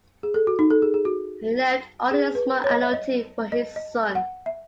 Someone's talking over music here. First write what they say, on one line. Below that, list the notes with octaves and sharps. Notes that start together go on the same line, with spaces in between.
He left only a small annuity for his son.
G#4
A4
F#4
D#4
A4
G#4
G#4
F#4
G#4
B4
C#5
D#5
E5
D#5
D#5
D#5
F#5
E5